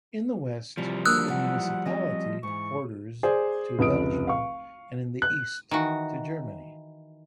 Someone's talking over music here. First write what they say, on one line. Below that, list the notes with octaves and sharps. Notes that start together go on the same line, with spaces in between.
In the west the municipality borders to Belgium and in the east to Germany.
C3 E3 F3 G3
D3 A#3 D#6 E6 F#6
E3 F#3 F#5
C4 C#4 D#5 F#5
G#2 E3 C#6
G#4 C5 D5
F1 C#2 D#6 D7
F5 C#6
F#6
D#3 E3 F#4